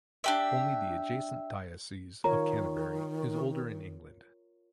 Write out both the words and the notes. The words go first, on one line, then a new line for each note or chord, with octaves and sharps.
Only the adjacent Diocese of Canterbury is older in England.
D4 G4 E5
D#3 F4 A#4 C#5 A#5